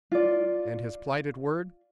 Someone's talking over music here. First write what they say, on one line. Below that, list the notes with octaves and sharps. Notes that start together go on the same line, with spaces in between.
And his plighted word?
F4 D5